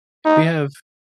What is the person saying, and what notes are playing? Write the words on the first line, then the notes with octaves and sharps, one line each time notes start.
We have
D#4